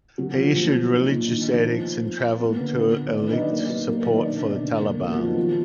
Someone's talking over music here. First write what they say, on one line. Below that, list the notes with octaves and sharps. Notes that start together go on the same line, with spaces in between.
He issued religious edicts and travelled to elicit support for the Taliban.
D3 F#3 F#4
D3 F3 F4
F3 A#3 F4
F#3
A#3 D#4
A#2 F4
D#4
D#3 D4
D#4
B3
F3 F4
B3
B3
B3
B3
A#3 B3 A#4
D3 B3 B4
A#2
A#2
D#3 D4 D5
B3 B4
F#3 D#4 D#5
D4 D5
A#3 B3 A#4
F#3
F#3 A#3 A#4
B3 B4
D#3
D#4 D#5
B2 D4 D5
D4 D5
B2
D4 D5
D3
G#3 A#3 A#4
A#2 A#3 A#4
F#3 F#4
F3 B3 F4
D#4
D#3 F3 F4